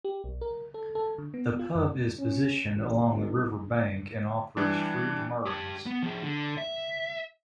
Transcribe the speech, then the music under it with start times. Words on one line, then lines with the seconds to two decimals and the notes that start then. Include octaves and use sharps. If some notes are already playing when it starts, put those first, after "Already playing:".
The pub is positioned along the river bank and offers free moorings.
0.05 G4
0.24 B1
0.41 A#4
0.74 A4
0.95 A4
1.18 D3
1.34 B3
1.59 F4
1.75 F#2
2.19 C#4
2.74 A1
3.10 G1
4.57 E3 G3 D4
5.46 G4 A5
5.86 B3
6.03 F3 G#4
6.24 D3
6.58 E5